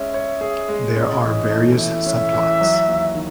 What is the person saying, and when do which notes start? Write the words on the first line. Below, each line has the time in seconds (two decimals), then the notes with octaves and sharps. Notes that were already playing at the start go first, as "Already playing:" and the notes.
There are various subplots.
Already playing: G#3 C#4 G#4 E5
0.14 C#5
0.41 G#4
0.69 G#3
0.96 C#4 D#5
1.24 E3
1.51 A3
1.78 E3 E5
2.06 C#4
2.33 E3
2.61 F#3
2.87 D#2
3.15 D#3